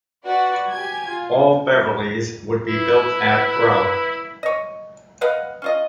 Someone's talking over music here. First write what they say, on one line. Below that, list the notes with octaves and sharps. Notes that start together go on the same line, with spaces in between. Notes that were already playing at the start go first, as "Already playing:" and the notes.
All Beverleys would be built at Brough.
F#4 B4 D5
G4 G#5 G#6
F4
E4 B4
C#5 D#5
B4 D#5 F5 F#5
C#4 F4 D#5